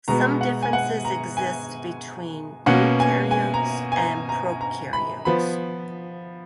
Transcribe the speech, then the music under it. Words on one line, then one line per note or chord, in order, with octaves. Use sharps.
Some differences exist between eukaryotes and prokaryotes.
B2 G#3 B3 A#5
F#5
G#5
F#5
A#5
G#5
B2 A#3 C#4 F#5
G#5
G#5
A#5
G#5
A#5
A#5
A#5
B5
F3 B3 B5